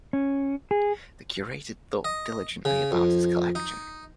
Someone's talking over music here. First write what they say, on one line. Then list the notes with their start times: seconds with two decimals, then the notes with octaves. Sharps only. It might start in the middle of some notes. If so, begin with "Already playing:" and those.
The curator thought diligently about his collection.
0.13 C#4
0.71 G#4
2.05 D#5
2.65 C#3
2.92 F2
3.55 D#4